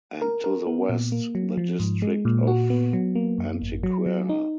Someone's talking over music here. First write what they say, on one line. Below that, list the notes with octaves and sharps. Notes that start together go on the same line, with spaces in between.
And to the west, the district of Antequera.
A#4
A#4
B3
A#2
A#3
F#3
F3
G#2
G#3
A#2
F#4
B3
F#3
A#3
F#2
G#1
F#3
F#3
D#4